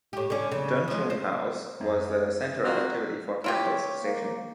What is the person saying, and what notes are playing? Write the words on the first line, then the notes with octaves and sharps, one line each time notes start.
"Duntroon House" was the centre of activity for Campbell's station.
A2 G4
D3 C#4
C#3
F3 G#3
C5
F#2
G#4
A#3 C4 F4 F#4
E4 F4 G4 C#5
A#3